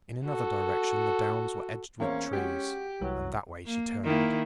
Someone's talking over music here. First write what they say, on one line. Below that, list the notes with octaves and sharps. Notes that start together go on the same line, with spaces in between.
In another direction the Downs were edged with trees, and that way she turned.
F#4 A4
E2 A#3 C4 C#4 C#5
G#3 F#4 G4
C2 E3 F#3
A#3
D#3 A#3 E4